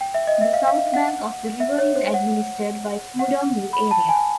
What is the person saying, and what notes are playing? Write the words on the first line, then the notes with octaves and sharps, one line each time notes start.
The south bank of the river is administered by Pudong New Area.
G5
E5
D#5
E5
F5
F5
F#5
E5
C#5
C5
F#5
F#5
B5
A5
G#5